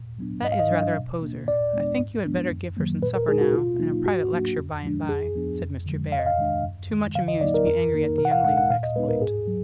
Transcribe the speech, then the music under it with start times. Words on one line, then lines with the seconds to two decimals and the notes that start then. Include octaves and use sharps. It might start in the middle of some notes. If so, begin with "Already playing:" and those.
"That is rather a poser; I think you had better give her some supper now, and a private lecture by and by," said Mr. Bhaer, too much amused to be angry at the young lady's exploit.
Already playing: A#2
0.19 F#3 B3 D4
0.45 G#2 D#5
0.52 F5
0.59 D#5
0.71 F#3 D4
0.96 B2
1.22 A#3 D4
1.48 A#2 D5
1.73 G#3 B3 D4
1.99 G#2
2.25 F3 G#3 B3 D4
2.50 F#2
2.77 D#3 F#3 A#3
3.03 A#2 B4
3.15 A#4
3.28 G#3 G#4
3.31 D#4
3.41 F#4
3.54 B2 F4
3.80 F#3 A#3 D#4
4.06 G#2 F#4
4.32 F#3 A#3 D4
4.58 F2
4.83 F3 G#3 D4
5.09 F2 G#4
5.35 F3 B3 D4
5.61 F2
5.86 D3 F3 G#3
6.12 F2 F5
6.19 D#5
6.26 F5
6.38 D#3 G#3 D4
6.64 F#2
6.90 D#3 G#3
7.15 D3 F5
7.28 D#5
7.41 F#3 A#3 D#4 D5
7.54 A#4
7.67 F2 A#4
7.93 D#3 A#3 D#4
8.18 B2 A#4
8.25 F#5
8.32 F5
8.44 G#3 D#4 F#5
8.57 F#5
8.70 A#2 F5
8.83 D#5
8.96 G#3 B3 D#4 B4
9.09 A#4
9.22 G#2 G#4
9.48 F#3